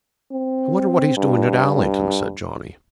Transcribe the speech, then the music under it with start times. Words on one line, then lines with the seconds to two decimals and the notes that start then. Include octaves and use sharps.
"I wonder what he's doing at Allington?" said Johnny.
0.32 C4
1.17 G2